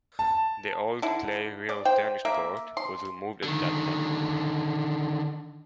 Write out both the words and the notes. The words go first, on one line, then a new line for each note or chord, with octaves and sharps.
The old clay real tennis court was removed at that time.
A5
D3 E4
D5
C5 G5
A#3 E5
C6
D3 D#3